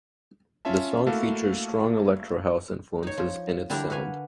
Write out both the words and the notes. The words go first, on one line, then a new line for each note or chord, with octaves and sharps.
The song features strong electro house influences in its sound.
C#4 F4 E5 A5
A3 A#3 E4 F#4 A4 F5
D#4 C#5
F3
D3 G3 D4 E4 G4 A#4
F#4 B4 F5 G#5